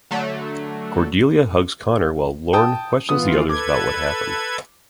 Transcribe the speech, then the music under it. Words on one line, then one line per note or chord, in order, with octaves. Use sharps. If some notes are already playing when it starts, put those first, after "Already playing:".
Cordelia hugs Connor while Lorne questions the others about what happened.
D3 F#3 A3
G5 A5 D#6
E3 B3 F4 D#6
A4 B4 D6 G#6